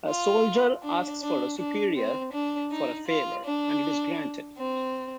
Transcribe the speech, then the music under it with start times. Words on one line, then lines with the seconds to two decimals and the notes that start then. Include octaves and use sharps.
A soldier asks a superior for a favor, and it is granted.
0.09 F4
0.83 D4
1.22 D4
1.58 D4
1.96 C4
2.33 D4
2.71 D#4
3.08 F4
3.45 D4
4.58 C4